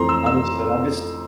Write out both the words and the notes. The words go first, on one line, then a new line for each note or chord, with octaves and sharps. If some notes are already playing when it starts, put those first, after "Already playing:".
Understood, I'm just
Already playing: F2 E3 A3 C4 A#5 C6
E6
E6